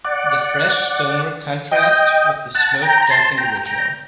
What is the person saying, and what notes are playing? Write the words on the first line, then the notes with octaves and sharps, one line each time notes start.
The fresh stonework contrasts with the smoke-darkened original.
D5 F#5
D#5 G5
F#5 A5
G5 A#5
A#5
A5 C6
G5 A#5
G5 A#5